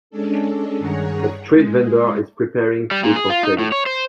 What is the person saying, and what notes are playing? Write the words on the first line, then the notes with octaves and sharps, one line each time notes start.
A street vendor is preparing food for sale.
G#3 C#4 D4 A4
G2 D#3 G#4 C#5 F#5 A#5
G#3
G3
A#2
G#4
F4
D#4
A2
C#5
C5